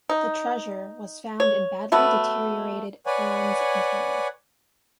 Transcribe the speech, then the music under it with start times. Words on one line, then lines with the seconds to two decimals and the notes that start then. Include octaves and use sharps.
The treasure was found in badly deteriorated bronze container.
0.09 D#4
1.40 C#5
1.92 F#3 A3 B3 B4
3.06 B4 C#5 D5 F#5 G#5